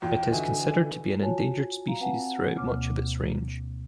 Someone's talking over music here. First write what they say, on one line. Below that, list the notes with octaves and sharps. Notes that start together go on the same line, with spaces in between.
It is considered to be an endangered species throughout much of its range.
E2 F4 G5
D3 E3 D#4 F#4 E5 G#5
F4 F#4 C#5 G#5 A5
F5 A#5
C4 B4 F#5 G#5 A5
D2 B2 A#3 C#5 D6 F6